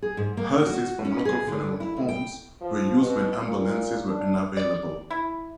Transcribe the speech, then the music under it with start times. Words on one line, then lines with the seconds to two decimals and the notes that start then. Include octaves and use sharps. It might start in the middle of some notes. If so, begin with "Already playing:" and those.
Hearses from local funeral homes were used when ambulances were unavailable.
0.02 G#4
0.17 G#2
0.37 A#3
0.66 F#4
1.05 C#4
1.25 G#4
1.47 D3
1.80 E4
1.96 D2
2.08 G5
2.61 F3
3.00 B2
3.46 A#2
4.08 D4
4.57 D5
5.10 E4